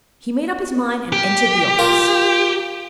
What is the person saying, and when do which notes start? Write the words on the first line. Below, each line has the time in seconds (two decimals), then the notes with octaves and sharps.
He made up his mind, and entered the office.
1.13 G4
1.79 F4 A#4